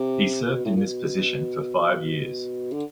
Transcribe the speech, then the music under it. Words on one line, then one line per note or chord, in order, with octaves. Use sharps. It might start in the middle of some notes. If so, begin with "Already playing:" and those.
He served in this position for five years.
Already playing: C3
A#2
B2
A2
A#2
B2
B2
D3